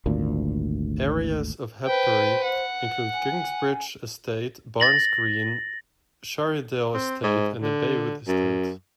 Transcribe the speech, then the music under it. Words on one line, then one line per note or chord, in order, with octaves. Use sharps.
Areas of Harpurhey include Kingsbridge Estate, Barnes Green, Shiredale Estate and Baywood Estate.
G#1 D2 A#2
B4 C5 G5
F#5
G#5
A6 A#6 F#7
C4
G#2
D3
F#2